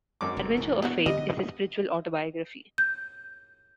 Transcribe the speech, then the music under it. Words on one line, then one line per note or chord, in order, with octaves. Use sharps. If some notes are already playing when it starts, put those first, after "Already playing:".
"Adventure of Faith" is his spiritual autobiography.
G#1 F#2 D6
F1
A#2 E3
B3 D4 F#4
D3 G3 B3 D#5
G6